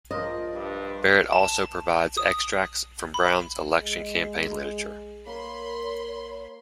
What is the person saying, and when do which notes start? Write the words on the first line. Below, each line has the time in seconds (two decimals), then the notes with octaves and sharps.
Barrett also provides extracts from Brown's election campaign literature.
0.11 F3 A#4 D5 D#5
0.53 G2
1.33 A5
2.17 D#6
3.14 B5
3.78 G#3
5.26 A#3 B4 C#5 B5 C6